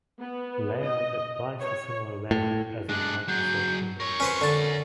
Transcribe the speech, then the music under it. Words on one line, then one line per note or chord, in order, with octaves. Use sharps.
The layout applies the similar layout as in Microsoft Windows.
B3
D#5
C#5
A2
G#3 D4 F#6
F#3 G#4 G6
A#4 C#5 C#6
C#4 B4 C5
D3 A5